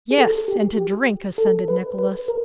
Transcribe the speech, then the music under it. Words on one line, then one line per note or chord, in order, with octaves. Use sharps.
"Yes, and to drink," assented Nicholas.
G#4
A4
G4
G4
A4
B4
B4
A#4